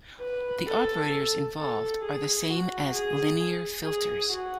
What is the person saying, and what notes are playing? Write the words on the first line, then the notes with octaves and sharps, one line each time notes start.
The operators involved are the same as linear filters.
B4
A4
A4
G#4
F#4
G#4
G#4
F#4